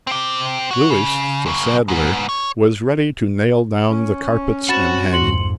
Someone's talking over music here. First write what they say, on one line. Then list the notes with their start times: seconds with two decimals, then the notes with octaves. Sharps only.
Lewis the saddler was ready to nail down the carpets and hanging.
0.07 C4 G4
0.71 F#4 C#5
0.90 C#3
1.46 F#2 C#3
1.88 G#2 B3
2.29 C#5
3.90 C#4
4.69 C4 F#4 F#5 B5 A6 E7
5.13 F2 G#2 C6 C#7 F#7